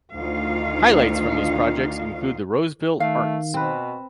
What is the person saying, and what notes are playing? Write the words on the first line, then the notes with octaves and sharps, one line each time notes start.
Highlights from these projects include the Roseville Arts!
D2 D#3 D4 D#4 F4 F5
D#3 A3 F5
B2 C4 B4